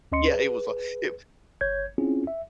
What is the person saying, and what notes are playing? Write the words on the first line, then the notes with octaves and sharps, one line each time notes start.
Yeah, it was li it
D2 C#4 D#5 C6 C#7
G#4 B4
G1 C#5 G6 G#6
C4 C#4 E4 F4 G#4
E5